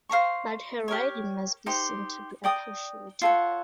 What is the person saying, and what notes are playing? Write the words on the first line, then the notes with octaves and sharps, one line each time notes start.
But her riding must be seen to be appreciated.
C5 F5 A#5 C#6
G4 A#4 C#5
D#4 G4 C5
D5 G5 A#5 D#6
F4 A4 C#5 F#5